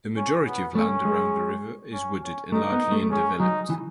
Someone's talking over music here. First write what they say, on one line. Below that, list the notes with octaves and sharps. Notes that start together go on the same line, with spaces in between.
The majority of land around the river is wooded and largely undeveloped.
C#4
B3
A3 C#4
G#3
C#4
C#4
A3 D#4
B3
A3
A3
G#3 C#4
F#3 D#4
E3